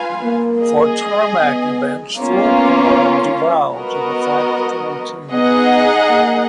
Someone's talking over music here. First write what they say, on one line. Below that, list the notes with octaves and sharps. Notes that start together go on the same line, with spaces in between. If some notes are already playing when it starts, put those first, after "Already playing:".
For tarmac events, Ford promoted Duval to the factory team.
Already playing: F4 B4 F5 G#5
A#3
G#4 D#5 G#5
B3
A#3 B3 C#4 F4
B3 F#4 A#4 D#5
B3 D#4 G#4 D#5 F#5
A#3